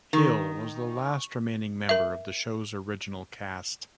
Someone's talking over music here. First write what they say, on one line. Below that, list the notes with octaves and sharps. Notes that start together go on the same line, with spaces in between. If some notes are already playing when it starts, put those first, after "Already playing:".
Hill was the last remaining member of the show's original cast.
D#3
A#4 E5